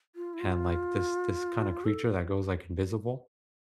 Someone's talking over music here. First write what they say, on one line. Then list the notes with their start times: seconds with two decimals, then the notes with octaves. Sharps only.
and, like, this this kinda creature that goes, like, invisible,
0.16 F4
0.34 E4
0.40 F4
1.85 A4